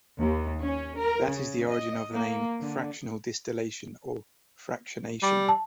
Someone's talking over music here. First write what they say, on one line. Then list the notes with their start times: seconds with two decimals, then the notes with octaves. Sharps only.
That is the origin of the name "fractional distillation" or "fractionation".
0.18 D#2
0.61 C#4
0.98 A#4
1.28 C#3
1.69 D#5
2.12 A#3
2.62 D3
5.22 G3
5.49 A5